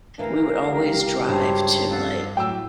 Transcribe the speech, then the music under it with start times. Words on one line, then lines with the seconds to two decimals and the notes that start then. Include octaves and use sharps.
we would always drive to, like,
0.18 D2 E3 D4 A#4 F5 A#5
0.66 C#2 F#2 G4
1.29 G2 C5 C#5 A#5
1.90 F2 F#4 A4 F5 F#5
2.37 A2 F#3 G5 D6 E6